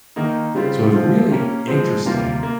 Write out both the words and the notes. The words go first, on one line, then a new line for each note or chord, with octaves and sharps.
So, it's really interesting,
D#3 A#3 D#4
C#3 G3 C4 F4 C5
F3 C4 F4
A#3 C#4 G4
F3 G#3 C4
C3 G3 A#3 F4 A#4
A#3